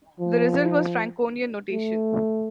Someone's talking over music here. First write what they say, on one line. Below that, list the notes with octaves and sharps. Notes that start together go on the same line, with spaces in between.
The result was Franconian notation.
F3
A3